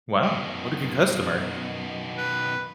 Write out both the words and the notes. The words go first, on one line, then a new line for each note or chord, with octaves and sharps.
Wow. What a good customer.
F#2 B2 D#3 B3
B4